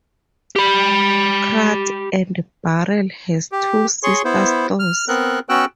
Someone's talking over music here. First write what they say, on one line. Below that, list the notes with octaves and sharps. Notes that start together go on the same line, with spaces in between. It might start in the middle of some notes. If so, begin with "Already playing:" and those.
Crate and Barrel has two sister stores.
G4 B5
G4
G#4 C#5 C6 C#6
B3 E4 C5
F6
B3 C4 A#4 F#6
B3 C#4 F#4 G5 E6 F#6